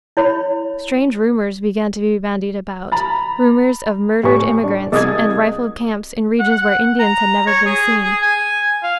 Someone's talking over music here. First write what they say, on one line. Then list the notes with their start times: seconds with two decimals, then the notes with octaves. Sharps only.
Strange rumours began to be bandied about--rumours of murdered immigrants and rifled camps in regions where Indians had never been seen.
0.17 E4 C#5 B5
2.92 A#5 B5 A6
4.23 A2 G4 D5 G#5 C#6
4.64 D4
4.92 C2 G#4 A#4 D#5 D#6 G#6
6.40 F#5
7.00 A#5
7.47 C#5
7.66 G#4
8.04 G#4
8.22 G#5
8.83 F5